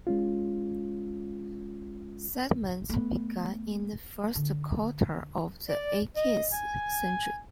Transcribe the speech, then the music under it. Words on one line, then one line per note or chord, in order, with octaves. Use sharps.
Settlement began in the first quarter of the eighteenth century.
G#3 C#4 F4
A3 B3
D3
D5
D#5
G#5